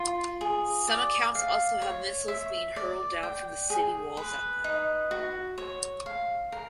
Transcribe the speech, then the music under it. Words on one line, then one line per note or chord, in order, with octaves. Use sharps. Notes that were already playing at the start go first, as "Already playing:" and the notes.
Some accounts also have missiles being hurled down from the city walls at them.
Already playing: F4
G#4
D5
F5
C#5
E5
D5
G5
G#4
B4
D#4
F#4
C#5
F5
A#4